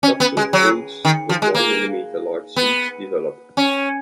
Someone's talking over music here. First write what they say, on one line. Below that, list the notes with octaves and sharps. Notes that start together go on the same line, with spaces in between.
Capsule fruits with one millimeter large seeds develop.
C#4
B3
G#3
F#3
D#3
F3
G#3
A#3
B3
C#4